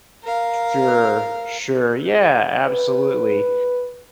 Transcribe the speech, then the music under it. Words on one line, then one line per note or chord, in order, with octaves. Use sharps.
sure sure, yeah, absolutely.
A#4 F5
B4